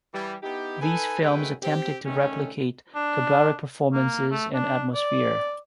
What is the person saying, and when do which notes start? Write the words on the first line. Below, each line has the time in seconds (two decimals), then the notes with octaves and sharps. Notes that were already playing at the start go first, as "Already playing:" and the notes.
These films attempted to replicate cabaret performances and atmosphere.
0.13 E3 G3
0.43 B3 D#4 E4 G4
0.81 D#4 A4 B4 G#5
1.22 F#2 D#3 A3 G#4 B4 G5
1.62 C4 G4
2.06 D3 D#3 A3 C#4
2.95 D4
3.93 A#3
4.31 A3
4.54 D4
4.94 D5